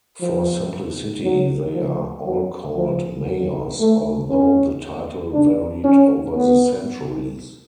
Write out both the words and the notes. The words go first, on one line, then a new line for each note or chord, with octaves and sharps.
For simplicity they are all called mayors, although the title varied over the centuries.
F3
F#3
F3
F#3
F3
F#3
A3
C#4
D4
C#4
B3